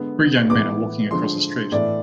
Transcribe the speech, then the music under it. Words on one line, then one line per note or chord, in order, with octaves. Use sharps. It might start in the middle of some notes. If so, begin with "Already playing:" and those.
Three young men are walking across a street.
Already playing: D3 G#3 B3
A2 E3 B3 D6
D3 F3 G#3 C6
A2 E3 A3 D5